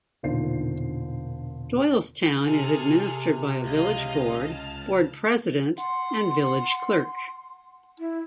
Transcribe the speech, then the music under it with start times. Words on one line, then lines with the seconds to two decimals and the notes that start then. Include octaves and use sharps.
Doylestown is administered by a Village Board, Board President, and Village Clerk.
0.23 E1 A#2 D3 D#3 C5 C7
2.45 C3 G#4 A4 F6
3.65 C#2 D#5 F5
4.44 A5 F6
5.78 F#5 C6
7.99 E4